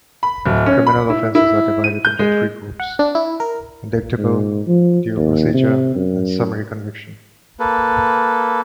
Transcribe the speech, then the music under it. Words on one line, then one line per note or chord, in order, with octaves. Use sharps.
Criminal offences are divided into three groups: Indictable, Dual Procedure, and Summary Conviction.
B5
D1
C#4
B5
E4
E4
D#7
G6
G#3
F#5
D4
E4
A#4
G#2
F3
D#2
C3
F#2
A#3 A4 B4